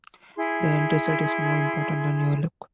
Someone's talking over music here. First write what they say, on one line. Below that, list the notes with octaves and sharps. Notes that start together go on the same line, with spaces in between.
The end result is more important than your look.
E4 G#4 C6